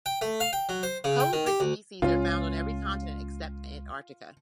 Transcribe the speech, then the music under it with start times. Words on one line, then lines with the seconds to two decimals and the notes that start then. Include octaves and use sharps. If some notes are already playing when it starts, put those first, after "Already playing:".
Colubrid species are found on every continent except Antarctica.
0.06 G5
0.21 A3
0.40 F5
0.53 G5
0.69 F#3
0.83 C5
1.04 C#3
1.20 G5
1.33 D#3
1.46 G4
1.60 D2
2.02 C#2 C4 C#4 F4